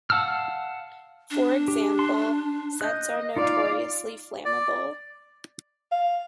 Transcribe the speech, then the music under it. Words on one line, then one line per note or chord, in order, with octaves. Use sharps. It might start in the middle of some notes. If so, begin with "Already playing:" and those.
For example, sets are notoriously flammable.
F5 F#5 A5 E6 F6
D4
G4
A5 C6
D#5 F#6 G6
D#4 F4 D5 F5
D5
F5